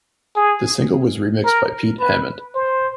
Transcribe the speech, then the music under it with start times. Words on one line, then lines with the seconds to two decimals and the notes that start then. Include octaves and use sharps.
The single was remixed by Pete Hammond.
0.36 G#4
1.45 A#4
2.00 B4
2.55 C5